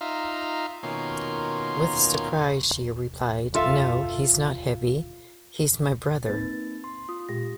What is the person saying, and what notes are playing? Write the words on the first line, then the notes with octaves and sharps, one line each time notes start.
With surprise she replied, No, he's not heavy; he's my brother.
D#4 F4 E5 F5 A#5
B2 D#3 A#3 C#4 F4 C6
F4 A4 E5 F5
A#3 C4 D#4 B4 A6
C6
F4 D#6
A#2 G#3 G4 A#6